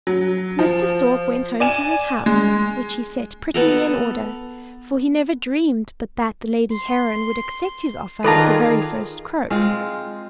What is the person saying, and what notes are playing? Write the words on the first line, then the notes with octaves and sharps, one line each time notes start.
Mr. Stork went home to his house, which he set prettily in order: for he never dreamed but that the lady Heron would accept his offer at the very first croak.
F#3
F3
D5 G#5 E7
G#3
B3 A4 A#5
C6
D#3 F4 G#4 A4 B4 D5 A5 A#5
G#3 C4 F4